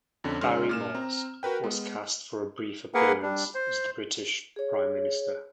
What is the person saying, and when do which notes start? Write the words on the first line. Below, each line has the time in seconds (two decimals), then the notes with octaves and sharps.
Barry Morse was cast for a brief appearance as the British prime minister.
0.24 F2 D3 C#4
0.41 C#3 G#3 C#4 D#4 C6 F6
0.69 A#2 F6 E7
0.95 C4 A#5
1.43 F#4 A#4 B4 G5
1.64 G#3 B3
2.94 A#3 G#4 A#4 B4 F#5
3.22 G3 D4
3.55 C5
4.56 G#4 C#5